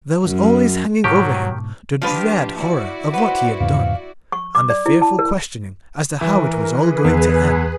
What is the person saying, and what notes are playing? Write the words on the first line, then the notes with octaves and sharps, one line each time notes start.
There was always hanging over him the dread horror of what he had done, and the fearful questioning as to how it was all going to end.
F#2
G#2 B2 D#3 F#3 G4 A5 C#6 D6
F3 D4 F4 G4 B4
E4 F#4 D5
B4 C5 F#5
E2 G#2 C#3 F5
C#6
D6
D5
E4
A5
A#4
E3 A#4
G#4 B4
E2